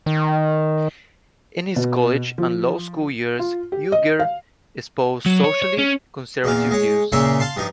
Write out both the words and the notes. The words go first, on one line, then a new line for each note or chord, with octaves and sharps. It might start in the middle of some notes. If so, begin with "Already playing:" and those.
In his college and law school years, Uygur espoused socially conservative views.
D#3
B2
F3
F4
G4
D#5
F5
F#3
C#5
C#5
C#4
E2 A#2 F5
G#3 C#5
A#2 C#3 A#3 C#4 E5 C6
F5 A5 C6
G2 F3 D#4